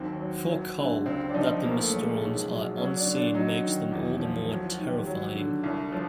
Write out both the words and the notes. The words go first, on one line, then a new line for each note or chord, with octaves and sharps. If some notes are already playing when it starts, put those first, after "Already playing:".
For Cull, that the Mysterons are unseen makes them all the more "terrifying".
Already playing: D#2 D#3 F#3 C4
F#3
F#3
D3
C#2 C4
D4
F3 D#4
A#1 A#3
A3
F3
G#3
B1 G#3
F#3
F#3 C#4
D4
D3
D4
F#3 D#4
D#3
E2
F3
F#3
F4
F#4
D#3
G4
F#3
D3
C2
F3